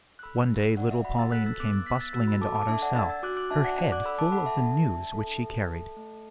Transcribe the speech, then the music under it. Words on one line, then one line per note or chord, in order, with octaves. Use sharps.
One day little Pauline came bustling into Otto's cell, her head full of the news which she carried.
F#6
A4 B5 E6
D4
D4 D5 F#5
E5
F#4 F#5 B5
E6 A6
A4 F#6 B6
E6 A6
B3 D6 F#6
E6 A6
B3 F#6 B6
E6 A6
F#4 E6 A6
B5 E6
A4 A5 D6
A5 D6
D4 E5 A5
D5 F#5
D4 E6 A6
E6 A6
F#4 D6 F#6
D6 F#6
D4 E5 A5
D5 F#5
D4 D5 F#5
D6 F#6
A4 B5 E6
A5 D6
A4 F#5 B5
E5 A5
D4 E5 A5
D4
A4
A4
A4
A3